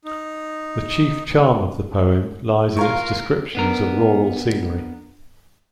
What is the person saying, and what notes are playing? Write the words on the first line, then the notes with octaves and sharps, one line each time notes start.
The chief charm of the poem lies in its descriptions of rural scenery.
D#4
F4 A#4 F5 A#5 C#6
B3 D4 A#4